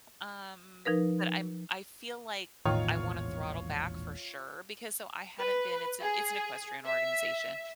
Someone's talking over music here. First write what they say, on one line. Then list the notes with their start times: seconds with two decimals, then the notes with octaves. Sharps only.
um, but I'm I feel like I wanna throttle back for sure because so, I haven't been it's an it's an equestrian organization.
0.85 F3 D#4 A#4 B4
2.65 E1 A#1 E2 A2 D#3 F4 C#5 F6
5.40 B4
6.01 G#4
6.86 E5